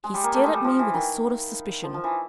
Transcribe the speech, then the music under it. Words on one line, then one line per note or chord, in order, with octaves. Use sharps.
He stared at me with a sort of suspicion.
G#3
G3
A#3
A3
G#3
G3
F3
E3
D#3
F3
F3
E3